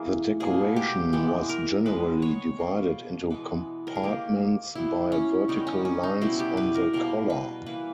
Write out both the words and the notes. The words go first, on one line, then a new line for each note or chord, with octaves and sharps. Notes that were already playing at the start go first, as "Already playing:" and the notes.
The decoration was generally divided into compartments by vertical lines on the collar.
Already playing: E3 A#3 G#4
B2 A#3 G#4
G4
E3 G#3 B3 G4
A#4
D#3 G#3 B3 B4
C#5
B2 A#3
E3 G#3 B3 B4
A#4
G#4
D#3 A#3 G4
B2 G3 B3 E4
C#4
D#3 G3 B3 D#4
C#4
C#4
D#4
B2 G3 B3 E4
G4
B4
A#4
B2 G3 A#3 A#4
B4
E3 A#3 B4